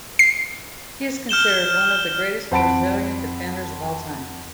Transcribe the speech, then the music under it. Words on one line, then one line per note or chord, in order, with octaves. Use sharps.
He is considered one of the greatest Brazilian defenders of all-time.
C7
F6 G6 E7 G7
F2 C5 F#5 A5 B5 D7